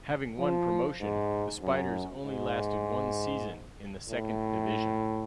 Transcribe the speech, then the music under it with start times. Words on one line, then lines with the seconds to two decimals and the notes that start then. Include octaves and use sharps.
Having won promotion, the Spiders only lasted one season in the Second Division.
0.39 F3
1.01 G#2
1.62 F#2
2.24 G#2
4.09 A2